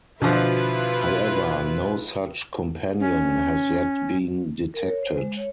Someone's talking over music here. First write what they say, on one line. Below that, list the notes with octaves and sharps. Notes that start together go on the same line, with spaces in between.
However, no such companion has yet been detected.
B2 D3 F3 E4 F4 B4
C#4
A#4
C#5
C5
G#3
C#5